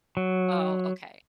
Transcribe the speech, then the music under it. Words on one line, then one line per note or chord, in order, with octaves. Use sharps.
Oh, okay.
F#3